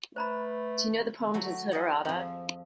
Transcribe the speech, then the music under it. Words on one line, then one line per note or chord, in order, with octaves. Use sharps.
Do you know the poem Desiderata?
A3 B4 C5 A#5 B5
F#3 A3 B5
G#4 D#5 F#5
F2 F3